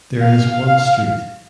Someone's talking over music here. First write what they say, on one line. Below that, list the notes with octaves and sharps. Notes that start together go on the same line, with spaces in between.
There is one street.
F5